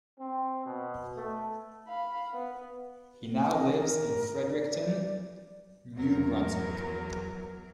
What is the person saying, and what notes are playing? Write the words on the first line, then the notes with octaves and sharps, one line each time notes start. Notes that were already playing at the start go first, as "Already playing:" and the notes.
He now lives in Fredericton, New Brunswick.
C4
B2
A3
F5 B5
B3
D#5
A#4
D5
E2 F#3 A#4